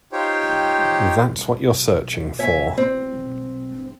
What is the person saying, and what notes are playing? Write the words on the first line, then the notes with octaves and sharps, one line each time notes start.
That's what you're searching for.
D#4 F4 G4 C5 C#5 G5
C#5 E5 G#5
C4